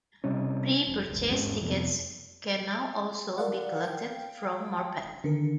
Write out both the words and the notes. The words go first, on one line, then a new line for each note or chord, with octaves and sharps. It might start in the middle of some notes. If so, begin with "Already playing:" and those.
Pre-purchased tickets can now also be collected from Morpeth.
C3 G3 C#4
F1
D#1 G#1
E2 G#2 G#3 C#4
F2 C3 B3
A#4 D5 F5 F#5
F5 G5
D3 D#3 A#4